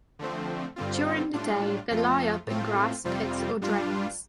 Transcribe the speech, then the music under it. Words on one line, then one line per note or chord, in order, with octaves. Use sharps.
During the day, they lie up in grass, pits, or drains.
D3 F3 A3 C4
G2 D3 G3 C4 F4
A2 G3 D4 F4
F2 F3 A3 F4
A2 A3 C4 F4
F2 C3 G3 C4 F4
G2 G3 D4 F4